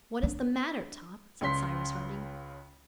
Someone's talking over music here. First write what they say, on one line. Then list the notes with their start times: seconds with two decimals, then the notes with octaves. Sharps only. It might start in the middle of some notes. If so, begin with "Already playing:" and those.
"What is the matter, Top?" said Cyrus Harding.
0.23 D4
1.41 C#2 C#3 C6 B6